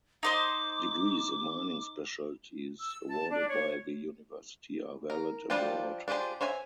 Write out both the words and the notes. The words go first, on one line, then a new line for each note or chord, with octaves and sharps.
Degrees in mining specialities awarded by the University are valid abroad.
D#4 C5 D#5 D6
E6
A5
D4
C#5
A#4
F3 G3 D4 F4 G5
D4 F4 G4 G#4 C5
C5 C#5 E5 G#5